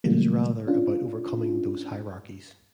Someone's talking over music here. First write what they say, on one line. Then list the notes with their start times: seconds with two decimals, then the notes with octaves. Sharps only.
It is rather about overcoming those hierarchies.
0.04 C#3 E3 F#3 G3 A3 A#3
0.67 C#4 D4 F4